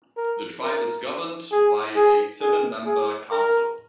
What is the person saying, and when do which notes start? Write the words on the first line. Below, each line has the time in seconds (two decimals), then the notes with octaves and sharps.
The tribe is governed by a seven-member council.
0.17 A#4
0.62 A#4
1.52 G#4
1.97 G#4
2.42 G#4
2.86 G#4
3.31 A#4